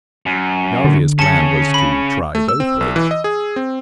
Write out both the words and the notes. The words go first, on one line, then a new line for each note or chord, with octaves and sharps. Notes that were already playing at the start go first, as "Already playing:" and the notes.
The obvious plan was to try both ways.
F#2
D3
C#3 C#4 A5 C#7
B5
A3
E6
C4
B1
E3
D#5
G#4
C4